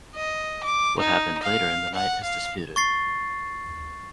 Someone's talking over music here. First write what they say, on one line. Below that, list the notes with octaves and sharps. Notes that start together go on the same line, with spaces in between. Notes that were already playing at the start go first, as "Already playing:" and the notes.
What happened later in the night is disputed.
D#5
D6
D#4
F5
F#5
F5
C#6 A6 C7